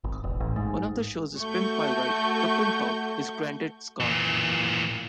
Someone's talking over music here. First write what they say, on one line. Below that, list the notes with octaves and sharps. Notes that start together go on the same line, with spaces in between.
One of the shows is "Pimp My Ride", to 'pimp out' his Granddad's car.
G#1
E1
A1
G#2
A3 F#4 C#6 G6
A#2 E3